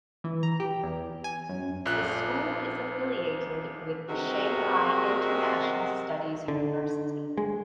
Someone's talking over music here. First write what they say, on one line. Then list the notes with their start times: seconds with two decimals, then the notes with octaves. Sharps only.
The school is affiliated with the Shanghai International Studies University.
0.24 E3
0.43 A#5
0.60 G4
0.83 E2
1.24 G#5
1.49 F#2
1.86 A#1 A#2 F#6
4.08 C3 G3 G#3 F#4 G#4 A#4
6.48 D3
7.38 G#3